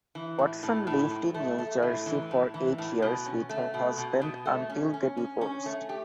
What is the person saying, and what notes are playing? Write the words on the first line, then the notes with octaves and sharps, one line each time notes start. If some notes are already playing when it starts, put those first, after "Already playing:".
Watson lived in New Jersey for eight years with her husband until they divorced.
E3
A2
A2
A2
A2
A3
A3
A2
E3
A2
E3
A2
B2
C#4
A3
B2
B2
B2
A3
C#4
C#4
C#4
C#4
A3
G4